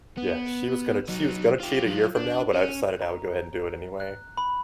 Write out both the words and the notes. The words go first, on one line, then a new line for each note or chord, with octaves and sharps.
Yeah, "She was gonna she was gonna cheat a year from now, but I decided I would go ahead and do it anyway.
B3
F#3 D#4
F4 G4
F#3 F4
D4
C#4
A#5
F#6
B5